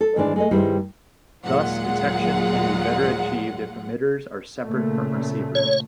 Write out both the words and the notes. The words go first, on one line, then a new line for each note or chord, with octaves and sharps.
Thus, detection can be better achieved if emitters are separate from receivers.
A4
G#2 D#3 E3 G#3 D4
G#3 A3 D#5
G2 D#3 G3 G#3 C4 E4
D#2 A#2 F#3 G#3 F4 F#5
A#2 C#3 A3
C#5